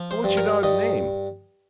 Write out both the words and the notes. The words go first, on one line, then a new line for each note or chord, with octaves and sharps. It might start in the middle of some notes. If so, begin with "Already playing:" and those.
"What's your dog's name?"
Already playing: F3
C5
G2
A#4
G2 D#5